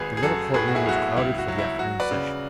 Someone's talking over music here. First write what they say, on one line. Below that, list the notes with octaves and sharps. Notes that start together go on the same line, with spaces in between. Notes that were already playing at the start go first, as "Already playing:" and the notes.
The little Court Room was crowded for the afternoon session.
Already playing: G#1 G#4 B4
G#4
F#2 F#4 A4
A2 G#4 B4
F#4
E4 G#4
B1 F#4
E4
C#2 E4
F#4
F#3
E4
F#3 F#4
B4 D5
C#3